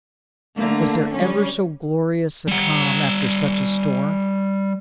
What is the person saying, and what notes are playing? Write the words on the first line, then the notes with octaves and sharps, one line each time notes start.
Was there ever so glorious a calm after such a storm?
D3 A3 A#3
G3 C#4
G3 F#5